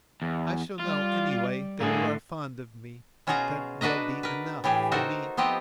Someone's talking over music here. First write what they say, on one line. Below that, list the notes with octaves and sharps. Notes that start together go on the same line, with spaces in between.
I shall know, anyway, that you are fond of me, that will be enough for me.
E2
G3 F4
A2 D3 A#3 G#4
B2 C#4 F4 F#4 G#4 A#5
D4 F#4 B4 D#5 A#5
A#4 B4
A2 E3 G4 G#4
D#4 F#4 A4 A#4 C5
F3 B3 C4 G4 D#5